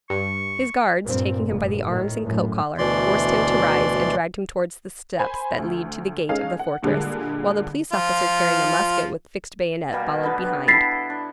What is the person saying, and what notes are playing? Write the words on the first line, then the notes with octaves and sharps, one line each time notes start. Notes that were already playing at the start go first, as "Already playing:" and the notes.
His guards, taking him by the arms and coat-collar, forced him to rise, and dragged him towards the steps that lead to the gate of the fortress, while the police officer carrying a musket with fixed bayonet followed behind.
G2 C#6
G2 A#2 C4
F1 G2 A#2
A2 D#3
F#2 A2
D2 B2 E3 D5 C6
C5 G#5 B5
D2
G#3 C#4 D#4 A4 F5
F#5
A#2 D3 G3 G#3
F3 F4
B2 G3 A#3
D3 B3 B4
E4 A4 A6 B6 C7
D4